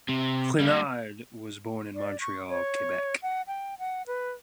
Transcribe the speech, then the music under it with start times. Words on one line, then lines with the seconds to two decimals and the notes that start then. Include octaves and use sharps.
Chouinard was born in Montreal, Quebec.
0.09 C3
0.60 G3 A#3
1.95 D5
2.21 C#6
2.48 C#5
3.22 F#5
3.47 G5
3.79 F#5
4.07 B4